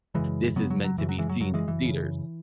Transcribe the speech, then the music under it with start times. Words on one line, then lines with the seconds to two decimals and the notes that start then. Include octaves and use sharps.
"This is meant to be seen in theaters."
0.15 F#2 C#3 E3 G#3
0.56 F#2 C#3 F#3 B3
0.70 F#3
0.84 F#3
0.98 F#2 C#3 E3
1.09 F#3
1.19 E3 G#3
1.29 F#3
1.40 F#2 C#3 F#3
1.54 E3 G#3
1.68 E3
1.82 F#2 C#3